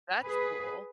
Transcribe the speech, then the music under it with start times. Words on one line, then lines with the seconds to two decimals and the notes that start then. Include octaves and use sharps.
That's cool.
0.24 G#4 B4